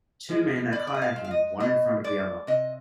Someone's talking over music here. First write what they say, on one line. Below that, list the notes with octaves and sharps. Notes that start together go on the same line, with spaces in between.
Two men are kayaking, one in front of the other.
F3 G#3
B2 D5
D5
D#5
F5
G#3
F5
D#5
B2 D#5
G#3 D5
C3 D#5